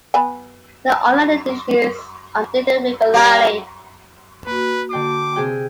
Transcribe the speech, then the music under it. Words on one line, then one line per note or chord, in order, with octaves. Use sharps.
The online edition is updated regularly.
B3 B4 G#5
G3 A#3 G4 A#4
A#3 F#4 B4
D3 G5 D6 C7
C3 G#4 G5